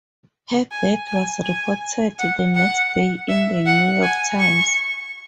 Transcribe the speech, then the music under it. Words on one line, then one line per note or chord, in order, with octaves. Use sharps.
Her death was reported the next day in the "New York Times".
G#5
G#5
G#5
F#5
F#5
E5
F#5
G#5
C#6